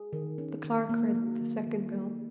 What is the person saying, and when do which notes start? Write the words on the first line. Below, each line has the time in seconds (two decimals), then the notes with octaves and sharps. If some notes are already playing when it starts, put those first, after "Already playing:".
The Clerk read the second bill.
Already playing: G#4
0.13 D#3
0.38 C#4
0.64 D#3
0.89 A#3
1.15 F#3
1.41 D#3
1.67 D#3
1.92 A#3